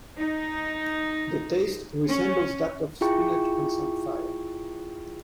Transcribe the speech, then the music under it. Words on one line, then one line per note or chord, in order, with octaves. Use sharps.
The taste resembles that of spinach and samphire.
D#4
C#4
E4 F4 G#4 G5 C#6